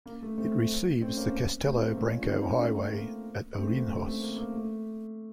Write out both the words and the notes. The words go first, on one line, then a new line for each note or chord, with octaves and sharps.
It receives the Castelo Branco Highway at Ourinhos.
A#3
A3
A3 C4
A3 C4
A#3 C#4
A3 C4
A#3
A3
C#4 F4
C4 D#4
A#3 C#4
A3 C4
A#3
A3 C4
A#3
A3 C4
A3 C4
A#3
A#3
A3